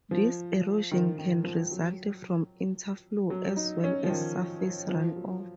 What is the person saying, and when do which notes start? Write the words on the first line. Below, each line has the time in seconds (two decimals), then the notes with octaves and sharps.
This erosion can result from interflow as well as surface runoff.
0.11 F3
0.91 D#3
1.18 D#3
1.44 F3
1.71 F#3
3.30 F#3
3.56 D#4
3.84 C#4
4.04 F3
4.09 D#3
4.89 F3
5.16 F#3